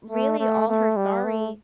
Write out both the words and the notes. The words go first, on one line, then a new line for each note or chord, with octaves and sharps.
really all her sorry
A3
A3
A3
G3
A3